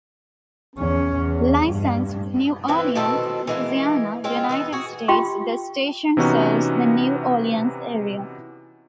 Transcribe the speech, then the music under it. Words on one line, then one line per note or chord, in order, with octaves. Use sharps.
Licensed to New Orleans, Louisiana, United States, the station serves the New Orleans area.
E2 C#4
E2
G2
E3 C4 E4 B4
B2 D#3 C4 A4
E3 G#3 A#3
G#3 C4 F4
E3 B3 D#4
F#4 G#4
F4 G4 G5 C6 C#6
C3 E3 B3 C#4 D#4 F#4